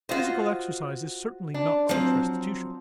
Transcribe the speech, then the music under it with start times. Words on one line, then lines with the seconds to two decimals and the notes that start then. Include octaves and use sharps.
Physical exercise is certainly not such restitution.
0.09 F4 F#4 C5 D#5
1.54 D4
1.89 F3 F#3 C4